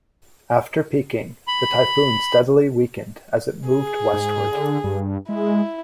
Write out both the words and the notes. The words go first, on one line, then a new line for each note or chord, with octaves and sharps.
After peaking, the typhoon steadily weakened as it moved westward.
B5
G#4
G#2
D3
G2
G#3 E4